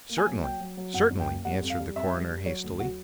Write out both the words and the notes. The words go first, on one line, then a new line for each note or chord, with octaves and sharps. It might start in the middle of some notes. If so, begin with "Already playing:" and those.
"Certainly--certainly," answered the coroner hastily.
A#3
G#5
F#3
F#3 G5
F#3
F#3
F#2 F#5
F#2
G5
A#3
G3 F#5
F2
F5
G3
F2 E5
G3
G3
F#3 C#5
D2
F#3 F#4